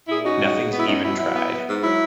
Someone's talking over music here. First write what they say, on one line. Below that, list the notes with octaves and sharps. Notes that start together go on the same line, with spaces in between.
Nothing's even tried.
A#2 E4 G#4
C#4 D#4 F#4
C#3
G#3
B3
E4
C#4 D#4
B2 E4
F#3 E4
B3
B3
G#2
F#3 E4